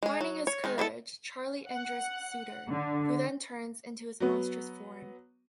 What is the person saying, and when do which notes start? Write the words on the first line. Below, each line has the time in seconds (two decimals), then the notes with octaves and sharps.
Finding his courage, Charlie injures Suitor, who then turns into his monstrous form.
0.03 G#3 G#4
0.21 F#3
0.47 C#5
0.64 D#3 G#3 D#4
0.78 B3 D4 E4 A4
1.68 F#5
2.68 D3
4.20 F#3 B3